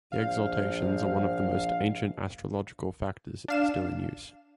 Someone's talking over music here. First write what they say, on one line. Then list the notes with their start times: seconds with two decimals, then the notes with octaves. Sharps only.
The exaltations are one of the most ancient astrological factors still in use.
0.12 A#1 C5 F5
3.48 D4 F5 E7